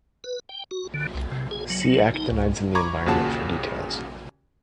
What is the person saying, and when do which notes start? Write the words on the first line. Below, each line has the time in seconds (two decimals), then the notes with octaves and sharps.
See Actinides in the environment for details.
0.24 B4
0.49 G5
0.71 F#4
0.94 D3
1.14 C2
1.32 C3
1.51 G#4
1.70 F#3
2.14 D#4
2.31 C#2
2.75 A#5 B5 C#6 D6 G#6
3.06 D#2 A#2 C#3 F#4 A5